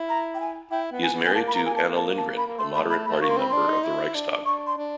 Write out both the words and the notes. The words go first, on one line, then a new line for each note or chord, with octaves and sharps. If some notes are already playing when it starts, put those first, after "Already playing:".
He is married to Anna Lindgren, a Moderate Party member of the Riksdag.
Already playing: E4
A#5
G5
G#5
E4 G5
B3
G#5
B3
G#5
A#3 A5
B5
A#5
G#5
A5
A5
A5
B5
A#3
A3 C6
B5
B5
A3 B5
A#3 C#6
C6
C4 B5
D4 C6
D#4
E4
D4
D4 C#6
C6
D4